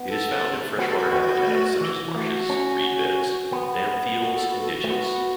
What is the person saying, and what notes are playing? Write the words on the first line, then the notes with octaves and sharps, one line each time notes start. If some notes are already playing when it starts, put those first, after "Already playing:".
It is found in freshwater habitats such as marshes, reedbeds, damp fields and ditches.
Already playing: B3
A4
B3 F#4
A4
F#4
B3
A3
E3
A3 F#4
C#4
B3
F#4
A4
F#4
A4
F#4
A3
B3 F#4